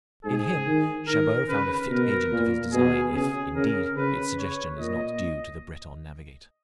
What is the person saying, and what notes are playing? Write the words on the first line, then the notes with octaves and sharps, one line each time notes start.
In him Chabot found a fit agent of his design, if, indeed, its suggestion is not due to the Breton navigator.
G#2 G#4
D#3
D#3 A#4
C#3 B4
B2 A#4
A#2
B2 G#4
C#3 G#4
C#3 A#4
C#3 B4
C#5
A#2 D#5